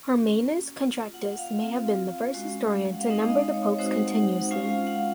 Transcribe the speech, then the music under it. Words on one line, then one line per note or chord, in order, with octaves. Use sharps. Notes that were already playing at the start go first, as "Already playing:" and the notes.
Hermannus Contractus may have been the first historian to number the popes continuously.
A#3 C#4 F#4
A#3 F4
F#5
F#5
F5
C4 F4
G#3 C#4 F#4
F#5
F5
G#3 C4 D#4 D#5
D#5
C#5
G#3 C4 D#4 F#4 C5
F#5
F#5
F#5
G#3 C#4 F4 F5
F5
F#5